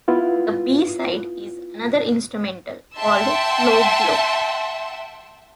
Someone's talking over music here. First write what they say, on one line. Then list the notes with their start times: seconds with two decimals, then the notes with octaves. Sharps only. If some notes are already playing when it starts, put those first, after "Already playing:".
The B-side is another instrumental, called "Slowblow".
0.08 B3 E4 F4 B4
2.98 E5 F#5 G5 A5 C6 E6